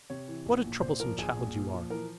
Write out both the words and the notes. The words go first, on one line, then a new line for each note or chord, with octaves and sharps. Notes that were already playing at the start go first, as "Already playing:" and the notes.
What a troublesome child you are!
C3 C#5
E3
A#1
A#2
A#2 C5
F3 A#4
A#1 G#4
A#2
A#2
F3
E3 A#4